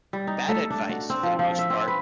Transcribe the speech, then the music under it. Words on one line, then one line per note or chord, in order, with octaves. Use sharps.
Bad advice for the most part.
G3
D#4
A3
D4
F#4
C4
F3
F3
E5
C4
B4